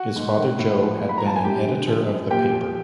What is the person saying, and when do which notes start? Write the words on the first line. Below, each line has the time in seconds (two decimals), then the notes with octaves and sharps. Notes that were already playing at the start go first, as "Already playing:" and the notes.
His father Joe has been an editor of the paper.
Already playing: F#4 F#5
0.16 G#2
0.37 D#3
0.59 A2
0.80 F3
1.02 A2
1.09 B5
1.18 A#5
1.23 F3 A5
1.36 G#5
1.44 F#2 G4 G5
1.66 D3
1.87 F3
2.09 F#2
2.31 A#2 G4 G5
2.52 F3